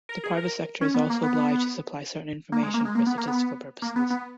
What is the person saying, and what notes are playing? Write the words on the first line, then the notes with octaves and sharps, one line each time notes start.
The private sector is also obliged to supply certain information for statistical purposes.
A#4
G#4
A#4
C#4
B3
A#3
B3
A#3
G#3
A#3
G#3
A#3
B3
A#3
B3
A#3
B3
B3